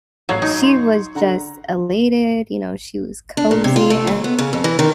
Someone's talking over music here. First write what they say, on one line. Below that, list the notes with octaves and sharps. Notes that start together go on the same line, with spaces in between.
she was just elated, you know, she was cozy, and
A1 F#3 G#6 C7
D#4
C6 C#6
D3 F#5 A#5
D4
A#2
C3
F4
A3
D#2
B3
C#3
F2
E3
D#3